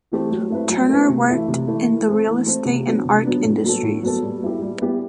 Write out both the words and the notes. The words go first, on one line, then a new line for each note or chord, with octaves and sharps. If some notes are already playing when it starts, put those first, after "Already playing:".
Turner worked in the real estate and art industries.
E3 A3 C4 G4
F#3
A3 C4 E4 B4
F#3
A3 C4 E4 B4
C3
E3 A3 E4
C3
E3 A3 E4
E3
A3 C4
E3
A3 C4
C3
F#3 B3 D4
C3
F#3 B3 D4
A2
F#3 B3 F#4 A4
A2
F#3 B3 F#4 A4
G3
B3 E4 G4
G3
B3 E4 G4